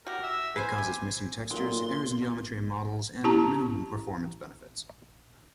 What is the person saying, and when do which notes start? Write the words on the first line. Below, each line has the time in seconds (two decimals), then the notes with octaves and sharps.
It causes missing textures, errors in geometry and models, and minimal performance benefits.
0.07 F#4 G4 A#4
0.23 E5
0.56 B4 C5 G#5
0.78 G4
1.51 B1 A#2 F#3 C6
3.24 C#4 E4 G4 A5 A#5